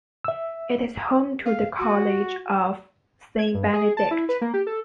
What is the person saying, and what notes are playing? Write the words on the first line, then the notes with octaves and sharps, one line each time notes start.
It is home to the College of Saint Benedict.
E5 E6
F5
F#4
G#6
G2
G#4
A5
E4
B4
A#3
G4
A4